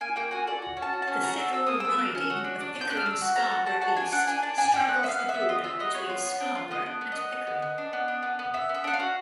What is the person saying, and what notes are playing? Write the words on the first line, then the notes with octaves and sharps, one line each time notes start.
The Federal riding of Pickering-Scarborough East straddles the border between Scarborough and Pickering.
A#3 G#5
A#3 G5
F#4 G#5
A4 D5
F#4
C#4
A5
F#4
A5
C#4
F#4 A#5
A4
A4 E6
A#3 D#6
A4 E6
A#3
C#4
F#4
D4
D4
D4
G6
D4 F#6
F6
D4 E6
F#4
A4 A#5
F#4
F#4 A5
F#4 A5
D4 G#5
D4 F#5
D4 G#5
D4 A5
D4 G#5
D4 G5
B3 F#5
B3 E5
F5
B3
E5
B3
F4 D#5
F4 E5
B3 D#5
B3 C#5
F4
B3
D4
F4
B3 D#5
D4
B3
B3 D#5
B3
B3
B3
D4
B3
D4
B3
B3
B3 E5
B3
E5
D4 F#5
F5
F#4